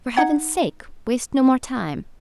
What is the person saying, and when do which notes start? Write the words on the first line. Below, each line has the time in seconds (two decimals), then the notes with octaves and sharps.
For heaven's sake, waste no more time.
0.17 D#4 F#5 G#6